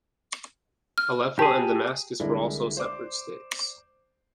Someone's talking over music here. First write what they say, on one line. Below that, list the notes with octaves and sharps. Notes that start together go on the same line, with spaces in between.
Aleppo and Damascus were also separate states.
F6
G4 G#4 A5
C2 D3 G#3 D4 E4 A#4
C5 D5 D6